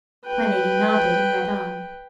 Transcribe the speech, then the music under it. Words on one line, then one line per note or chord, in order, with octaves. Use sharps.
My Lady nodded, and read on.
B4 G5